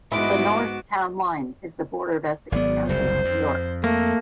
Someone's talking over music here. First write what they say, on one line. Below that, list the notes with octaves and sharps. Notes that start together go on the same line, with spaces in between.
The north town line is the border of Essex County, New York.
G#2 G#3 B3 E4 F#4 D6
G#1 F#3 B3 D5
F#1 C2 C5
F2
A3 A#3